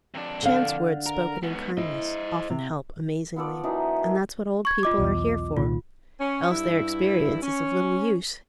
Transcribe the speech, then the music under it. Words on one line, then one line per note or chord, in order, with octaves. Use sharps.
Chance words spoken in kindness often help amazingly; and that's what old people are here for--else their experience is of little use.
F2 D4
D3 F5
A#4
G#2 B3
E4 C5 D#5
C3
B3 F4 A4 D5
E3 F#3 D4 D#4
A#4
C#6 G#6
F4 D#5 D6
B1 E2
C2 A#2 D#3 F4
C#4
G2 E4
C#4